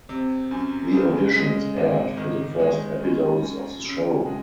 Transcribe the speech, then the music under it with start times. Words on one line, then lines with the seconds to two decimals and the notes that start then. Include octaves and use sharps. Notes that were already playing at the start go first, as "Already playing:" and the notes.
The auditions aired for the first episodes of the show.
0.09 C3
0.51 F#2
0.93 C#3
1.34 G#3
1.77 G#1
2.17 D#3
2.59 G#3
3.01 F#2
3.42 F#2
3.84 C#3
4.26 G#3